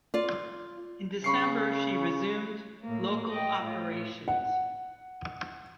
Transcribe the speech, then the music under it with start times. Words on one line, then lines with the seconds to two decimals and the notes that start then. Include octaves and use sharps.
In December, she resumed local operations.
0.14 F4 D5
1.24 C#3 B5 C#6 C7
2.83 A2 A#3
3.31 D#5 G5
3.62 A2 F4
4.28 F#5